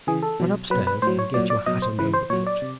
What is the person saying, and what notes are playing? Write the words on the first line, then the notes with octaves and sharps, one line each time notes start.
"Run upstairs and get your hat and overcoat."
C#3 E3 G#4
A4
B2 F#3
B2 F#3 B4
B4
A2 F#3 C5
C#5
A#2 F#3 D5
D5
B2 F#3 D#5
C5
C#3 E3 B4
C5
A#2 F#3 C#5
D5
C3